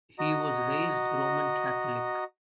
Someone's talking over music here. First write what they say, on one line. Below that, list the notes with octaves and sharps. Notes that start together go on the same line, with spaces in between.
He was raised Roman Catholic.
F#4 D#5 A#5